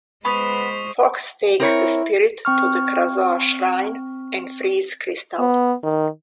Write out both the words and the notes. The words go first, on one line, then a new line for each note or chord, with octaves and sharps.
Fox takes the spirit to the Krazoa Shrine and frees Krystal.
G#3 B3 C5 B5 C#6 D#6 B6
C4 E4 A#4 C#5
C4 C#6 F6
B3
D#3